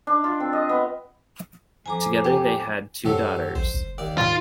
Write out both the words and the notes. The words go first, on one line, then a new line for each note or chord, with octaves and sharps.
Together, they had two daughters.
D4
F4
C4
D#5
B3
F2 G#5 A#5 D6
G4
F#2 C3 F#3 A4
A1 C5
F#1
D#2 D5
G#2 F4